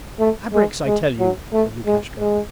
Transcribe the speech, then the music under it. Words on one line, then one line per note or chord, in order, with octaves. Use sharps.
'Abreks, I tell you!' said Lukashka.
A3
G#3
G#3
F#3
A3
G#3
G#3